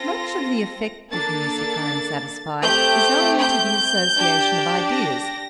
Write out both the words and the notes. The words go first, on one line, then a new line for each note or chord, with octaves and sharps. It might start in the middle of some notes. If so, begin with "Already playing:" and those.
Much of the effect of musick, I am satisfied, is owing to the association of ideas.
Already playing: C4 F4 A4 A#6
A#3 D4 A4 A6
A3 C4 G4 G6
G6
D4 G4
A#6